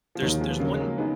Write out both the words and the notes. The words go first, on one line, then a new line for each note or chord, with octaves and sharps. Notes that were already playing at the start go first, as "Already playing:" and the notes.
there's there's one
F3
D#2 D#3 F#3
F3 G#3
B3
C#3 F#3 A#3
G#3
F#3 A#3
G#3 B3 D#4